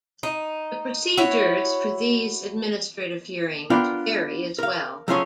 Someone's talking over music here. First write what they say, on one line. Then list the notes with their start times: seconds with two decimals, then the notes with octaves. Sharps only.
The procedures for these administrative hearings vary as well.
0.23 D#4
1.18 E4 F#4 C#5
3.70 B3 D4 F4 A#4 G5
4.59 A#4 F5
5.08 F#3 A3 C#4 F4 G#4 C#5